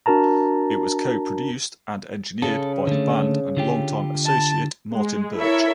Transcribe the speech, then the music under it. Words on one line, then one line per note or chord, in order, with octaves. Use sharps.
It was co-produced and engineered by the band and longtime associate Martin Birch.
D4 F#4 A#4 A5 A#5
C#3 A4
D3 A3
D3 F4 G4
A5
G#3
E4 A4 A#4 C#5 E5